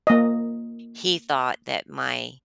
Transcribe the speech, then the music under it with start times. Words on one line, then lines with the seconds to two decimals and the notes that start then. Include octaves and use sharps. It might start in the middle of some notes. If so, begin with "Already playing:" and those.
he thought that my
0.07 A#3 D#5